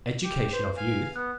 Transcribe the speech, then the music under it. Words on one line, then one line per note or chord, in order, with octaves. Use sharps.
Education of Youth.
G4
B4 C5
F5 G#5
B3 F#6